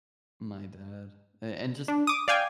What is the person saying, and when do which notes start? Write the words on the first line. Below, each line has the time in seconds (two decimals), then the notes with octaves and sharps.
my dad, and and just
1.88 D4
2.07 D6 D#6
2.28 D5 F5 G5 G#5